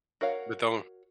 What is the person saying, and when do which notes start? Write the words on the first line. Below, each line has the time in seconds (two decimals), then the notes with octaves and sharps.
but don
0.21 F#4 A#4 C#5 F5 F#5